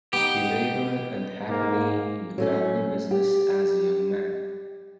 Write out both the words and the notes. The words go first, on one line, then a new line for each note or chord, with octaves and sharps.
He labored unhappily in the family business as a young man.
B3 D#4 G4
G#2 A#3
F#3 A3 C#4
G4